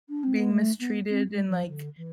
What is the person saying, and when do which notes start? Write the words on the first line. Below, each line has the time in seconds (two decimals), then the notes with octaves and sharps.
being mistreated in, like,
0.09 D4
0.23 C4
0.36 B3
0.50 A3
0.80 B3
1.09 C4
1.28 G#3
1.48 F3
1.68 D3
1.97 E3